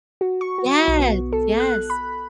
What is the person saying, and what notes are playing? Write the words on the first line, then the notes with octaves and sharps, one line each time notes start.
Yes! Yes.
F#4
C#6
F#4
B1
B3
A4
F#6
B5